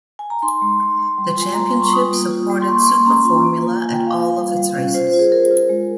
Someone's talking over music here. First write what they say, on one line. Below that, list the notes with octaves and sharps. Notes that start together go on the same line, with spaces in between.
The championship supported Super Formula at all of its races.
G#5
A#5
D#4 C6
G#3
G#3
G#3
G3
F4 G#5
G3 A#5
C6
G3
C#6
F4 D#6
A#3
F4
G3
C6
A#3 C#6
C6
A#3
C6
C#4 A#5
F4
A#3
F4
F4 G#5
G5
F4
F5
F4
G3
G3
C#4
F4 C5
C5
F4
G#4
F4 A#4
F4
G#3